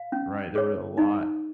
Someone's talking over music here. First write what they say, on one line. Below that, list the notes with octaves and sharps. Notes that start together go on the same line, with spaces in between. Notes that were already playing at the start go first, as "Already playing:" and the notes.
right? There were a lot
Already playing: F5
C#4
G#4 C#5
D#4